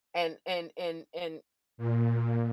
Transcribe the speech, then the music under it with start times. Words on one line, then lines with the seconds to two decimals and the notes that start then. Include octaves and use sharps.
and and and and
1.78 A#2